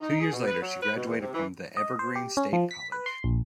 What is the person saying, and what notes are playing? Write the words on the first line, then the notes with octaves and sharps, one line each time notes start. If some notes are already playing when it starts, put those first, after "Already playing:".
Two years later, she graduated from The Evergreen State College.
D#4
G#4
B2
B4
F#3
B4
B2
E2
C3
E3
D#5
C5
G4
C#4
F3
B6
B4
C6
A#1